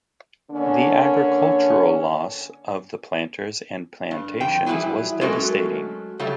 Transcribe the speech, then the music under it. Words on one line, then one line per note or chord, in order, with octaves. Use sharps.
The agricultural loss of the planters and plantations was devastating.
D3 A#3 C#4 D4 C#5
G2
F2 G5
E3 F#3 G3 D#4 E4 G#4
F#3 G#3 A3 C#4 F#4 A#4
C#3 F#3 G3 A3